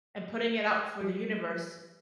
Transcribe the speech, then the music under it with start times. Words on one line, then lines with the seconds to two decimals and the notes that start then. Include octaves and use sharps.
and putting it out for the universe.
1.01 G3